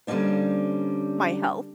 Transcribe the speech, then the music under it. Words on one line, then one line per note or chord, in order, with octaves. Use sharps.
my health.
D3 G3 A#3 C#4 D4 C5